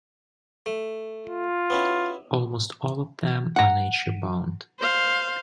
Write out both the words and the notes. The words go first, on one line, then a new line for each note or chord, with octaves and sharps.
Almost all of them are nature bound.
A3
F4
B3 C#4 E4
F#5 A#5
C5 F5